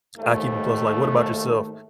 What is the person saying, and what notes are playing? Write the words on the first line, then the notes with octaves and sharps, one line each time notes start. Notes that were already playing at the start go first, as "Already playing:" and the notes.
I keep 'em close, like What about yourself?
D#2 G#2 D#3 A3